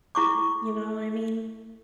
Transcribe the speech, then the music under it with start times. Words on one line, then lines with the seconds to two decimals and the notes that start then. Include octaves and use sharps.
Mm-mm, you know what I mean?
0.15 E4 C#6 D6